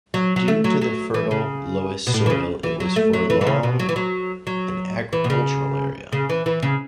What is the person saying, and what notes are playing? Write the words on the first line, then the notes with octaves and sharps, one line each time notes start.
Due to the fertile loess soil it was for long an agricultural area.
F#3
F#3
A3
F#3
F#3
E3
C#3
B2
A2
E3
C#3
E3
F#3
A3
F#3
E3
E3
C#3
B2
F#3
E3
F#3
F#3
E3
B2
C#3
C#3
E3
E3
C#3